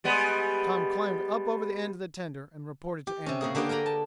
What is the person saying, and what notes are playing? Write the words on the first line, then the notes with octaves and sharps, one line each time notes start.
Tom climbed up over the end of the tender and reported to Andrews.
G3 G#3 B3
G4
C3 C#4
C#3 A#3 G#4
D3 A#3 G4 B4 G5
A#4 G5 G#5 A#5 B5
A5